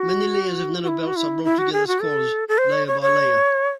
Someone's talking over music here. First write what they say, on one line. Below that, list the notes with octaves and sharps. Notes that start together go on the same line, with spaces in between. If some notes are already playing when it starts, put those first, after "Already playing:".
Many layers of nanobelts are rolled together as coils, layer-by-layer.
Already playing: F#4
F#4
E4
F#4
E4
E4
F#4
G#4
F#4
A4
A4
C5
C#5
C#5
C#5